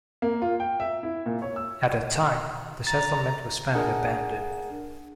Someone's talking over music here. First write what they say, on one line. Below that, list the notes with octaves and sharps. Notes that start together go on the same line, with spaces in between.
At that time, the settlement was found abandoned.
A#3
F4
G5
E5
E4
A#2
C#5
E6
A#5 A6
D4 G#4 A#4 F#5